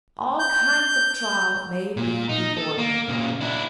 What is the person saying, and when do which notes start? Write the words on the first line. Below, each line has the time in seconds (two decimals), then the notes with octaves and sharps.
All kinds of trial may be before me.
0.39 G6
1.97 A#2
2.29 D#4
2.57 A4
2.78 A#3
3.08 A#2 C#3
3.41 D4 E4